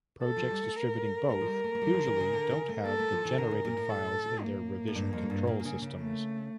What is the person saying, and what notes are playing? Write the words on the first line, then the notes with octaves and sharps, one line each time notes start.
Projects distributing both usually don't have the generated files in their revision control systems.
A4
F3
G3
A3
A#4
A3 A#4
F3
G3
A3
A3
G3
F3
E3
C#3
D3
C#3
A3
A#3 A4
A3
F3
E3
D3 A#4
C#3
A#2
A2
A4
A#3
A2
G2
F2
G2
A#2
A#2
C#3
C#3
A3